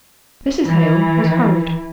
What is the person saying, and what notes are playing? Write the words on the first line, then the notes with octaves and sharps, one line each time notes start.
Mrs. Hale was hurried.
E3